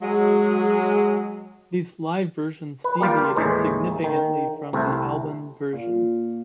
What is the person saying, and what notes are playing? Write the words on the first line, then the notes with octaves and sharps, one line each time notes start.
These live versions deviated significantly from the album version.
F#3 G#3
B4
G3 A#3 F4 G4
D#2 A2 E3 G#3
D#3
C2 C3 A3
A#2